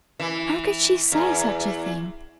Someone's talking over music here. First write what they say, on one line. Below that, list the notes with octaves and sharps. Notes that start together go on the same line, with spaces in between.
How could she say such a thing!
E3
E2